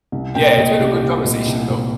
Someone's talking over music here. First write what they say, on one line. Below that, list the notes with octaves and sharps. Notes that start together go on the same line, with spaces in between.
Yeah, it's been a good conversation, though.
C2
A#2 G5
A#2 D#5
C2 G4
C2
A#2
C2
A#2